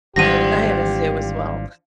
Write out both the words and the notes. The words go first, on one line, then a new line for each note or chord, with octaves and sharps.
I had a zoo as well.
G#1 D3 E3 F3 G3 G4 A#6 D#7